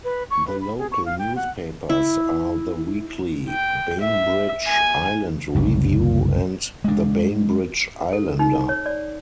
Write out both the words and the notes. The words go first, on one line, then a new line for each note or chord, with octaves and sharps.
The local newspapers are the weekly "Bainbridge Island Review" and the "Bainbridge Islander".
B4
C#6
B4
B5
G#4
C#6
F5
G5
F#5
E4
G5
E5
G#5
F#1 C2
G#3 D4
A4
D#4
C#5
D5